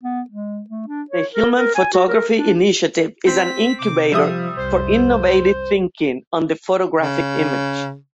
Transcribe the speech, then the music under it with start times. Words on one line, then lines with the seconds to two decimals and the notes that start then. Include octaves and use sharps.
The Hillman Photography Initiative is an incubator for innovative thinking on the photographic image.
0.03 B3
0.30 G#3
0.70 A3
0.88 D4
1.10 C#5
1.32 A#4
1.56 A#4
1.75 G#5
1.93 F#4
2.08 A#4
2.35 D4
3.26 C4 B6
3.79 C3 D6
4.12 F3 G3 E5 D#6
4.57 C2 F2 C5
7.01 C#3